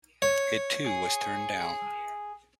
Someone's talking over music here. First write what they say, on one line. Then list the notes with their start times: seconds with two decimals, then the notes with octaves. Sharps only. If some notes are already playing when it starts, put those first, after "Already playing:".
It too was turned down.
0.22 C#5
0.86 G#4